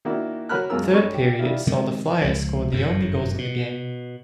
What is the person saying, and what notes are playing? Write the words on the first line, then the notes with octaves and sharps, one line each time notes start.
The third period saw the Flyers score the only goals of the game.
D#3 A#3 D4 E4 F#4
F#4 A#4 C#5 B5 F6 F#6
C#2 F#2 F4 G#4 A#4 E6
G2 A4 C#5 D#5 C#6
G4
D#3 G3 E4 F4
C3 D#3 G#3
C#2 F3
G1 F#2 A2
B2